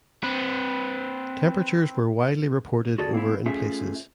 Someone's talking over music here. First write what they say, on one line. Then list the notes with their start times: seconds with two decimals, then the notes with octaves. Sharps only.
Temperatures were widely reported over in places.
0.23 C4 B4
2.98 F#4 G#4 A4 D5
3.13 A#3 C4 D#4 E4
3.46 A3 C#4 F4 G#4 E5